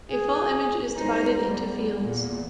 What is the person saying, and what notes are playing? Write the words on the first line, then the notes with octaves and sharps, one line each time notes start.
A full image is divided into fields.
G#4 G#5
E2 D#4 C5 A#5
G3
A#2